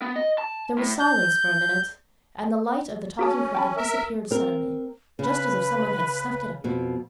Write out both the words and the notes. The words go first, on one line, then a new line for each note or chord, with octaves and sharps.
There was silence for a minute and the light of the Talking Cricket disappeared suddenly, just as if someone had snuffed it out.
B3
D#5
A5
A2
G6
C#4 F#4 G#4 A5
G5 A5 B5
A#4 E5
C4 A#4
C#3 B4
F2 B2